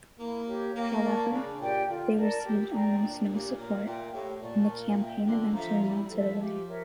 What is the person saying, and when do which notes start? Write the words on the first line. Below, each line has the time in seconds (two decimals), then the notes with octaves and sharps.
However, they received almost no support and the campaign eventually melted away.
0.19 A#3 E4
0.47 G4 C#5
0.74 A#3 A#4
1.03 D5 A5 C#6
1.31 C#3 D4
1.60 A#2 G4 D5 G5
1.88 D3 F4
2.16 A#4 D5 A5
2.44 A#2 G4
2.72 A2 D5 G5 A#5
3.00 A#2 D4
3.29 A#2 G4 C#5
3.57 A#2 A#4
3.85 A#2 E5 G5
4.13 A2 G4
4.42 A#2 D5 A5 C#6
4.70 A#4
4.98 E5 G5
5.26 D3 F4
5.54 F3 A4 E5 A#5
5.83 G3 E4
6.11 F3 A4 E5
6.39 G4
6.67 A#4 C#5 E5